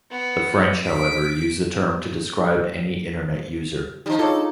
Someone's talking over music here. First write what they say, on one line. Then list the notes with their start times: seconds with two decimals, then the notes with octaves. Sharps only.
The French, however, use the term to describe any Internet user.
0.11 B3
0.84 B6 D7
4.06 F3 G3 D#4
4.19 D4 F4 G#4 A4 C#5